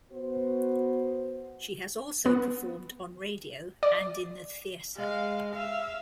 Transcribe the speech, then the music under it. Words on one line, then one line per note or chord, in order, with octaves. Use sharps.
She has also performed on radio and in the theatre.
B3 F#4 C5
B3
D5
G#3 F5
E5 F5